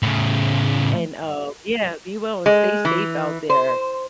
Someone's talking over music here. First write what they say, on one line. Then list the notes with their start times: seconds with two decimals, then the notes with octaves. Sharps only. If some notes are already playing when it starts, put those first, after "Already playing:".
and, uh, yeah, be well and stay safe out there.
0.03 A2 C#3
2.46 G#3
2.85 E3
3.50 C5